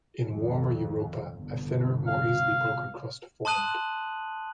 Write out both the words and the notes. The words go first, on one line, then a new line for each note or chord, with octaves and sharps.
In warmer Europa a thinner more easily broken crust formed.
G#1 F2
G1 C2
F5
A5 C6 D#6 F#6 D#7 F#7